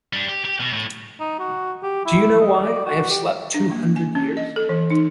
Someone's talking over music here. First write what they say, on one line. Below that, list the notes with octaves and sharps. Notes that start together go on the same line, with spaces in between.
Do you know why I have slept two hundred years?
G3 D4
G4
G4
B2
A2
D#4
F#4
G4
E4
D#5
D5
F#4
G4
D4
A#3
G#5
C#4
D#5
A4
E3
D#4